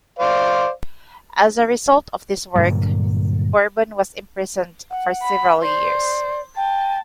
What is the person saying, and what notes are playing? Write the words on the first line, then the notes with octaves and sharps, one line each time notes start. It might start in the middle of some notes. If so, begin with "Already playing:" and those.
As a result of this work, Bourbon was imprisoned for several years.
C5 D5 F5
G2 A#2 D3 F#3
F#5
B5
C5 D5
G5 A5